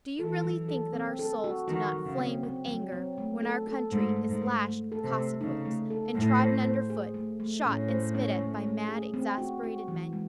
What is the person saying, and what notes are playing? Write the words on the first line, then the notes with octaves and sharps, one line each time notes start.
Do you really think that our souls do not flame with anger when our country is lashed with Cossack-whips, and trodden under foot, shot and spit at by mad, exasperated men?
E3 A4
F#3
A4
C4
A4
F#4
D#3 F#4
F#3
C#3
C4
C4
F#3
C4
A3
A4
A4
G#2 A3
A3
G#2
A3
A3
A4
C3
A3
C#3 D#4
A3
A4
A2 A3
C5
C5
G#4
A3
A3
A2 C#4
C5
C#4
A3
A3
G#4
C4
F#4
F#4
E3
G#3